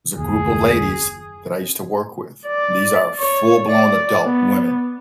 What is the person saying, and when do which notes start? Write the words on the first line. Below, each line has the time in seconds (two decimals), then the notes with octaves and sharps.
there's a group of ladies that I used to work with. These are full blown adult women.
0.18 F#1 D#2 G#4
2.47 D5
3.19 C#5
3.69 D5
4.24 B3